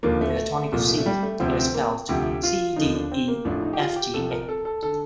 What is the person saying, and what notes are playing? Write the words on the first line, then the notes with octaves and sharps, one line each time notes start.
With a tonic of C, it is spelt: C. D. E. F. G. A.
D#2 D3 F3 A#3
A3
C2 A#2 F3
A3
G3
A3
D2 C3 F3 C4
D4
C4
A#3
D2 C3 F3 G4
F4
D#2 D3 F3 D#4
D4
C4
A#3
A1 A2 F3 D4
D#4
G4
F4
G4
C2 C3 F3 A4
A#4
A4
A4
D3 A4